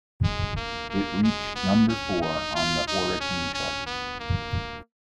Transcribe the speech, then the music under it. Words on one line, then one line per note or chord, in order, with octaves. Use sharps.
It reached number four on the Oricon Charts.
G#3
A#3
A#3
G#3
B3
C#4
D#4
F4
D#4
C#4
C#4
B3
A#3